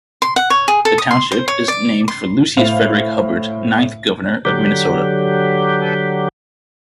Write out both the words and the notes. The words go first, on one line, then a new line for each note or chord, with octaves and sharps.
The township is named for Lucius Frederick Hubbard, ninth Governor of Minnesota.
C6
F#5
C#5
G#4
A4
D#6
C6
C5
C#5
D5
C6
A2 C5 F5 F7
D3 F#3 G4